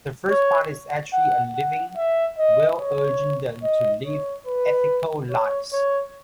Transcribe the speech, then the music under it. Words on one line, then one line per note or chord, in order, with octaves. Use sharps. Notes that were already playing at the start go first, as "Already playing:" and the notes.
The first part is actually a living will urging them to live ethical lives.
C#5
F#5
F#5
E5
D#5
C#5
D#5
C#5
B4
C#5
C#5